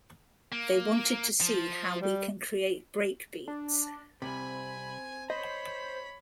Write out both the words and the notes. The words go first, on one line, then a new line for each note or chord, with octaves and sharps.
They wanted to see how we can create break beats.
A#3
F3
G3
D4
C2 G#2 C3 C4 G#5 B5
C5 C#5 D#5 B5